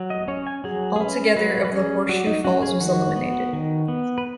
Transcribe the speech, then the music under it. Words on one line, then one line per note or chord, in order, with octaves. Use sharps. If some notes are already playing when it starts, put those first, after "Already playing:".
Altogether, of the Horseshoe Falls was eliminated.
Already playing: F#3
D#5
C#4 C#5
G#5
F#3 G#4
G#4
C#4 B4
F#3 B4
B4
C#4 G#4
F#3 F#4
D#4
C#4 F#4
G#4
D#3 F#4
B3
D#3
B3
B4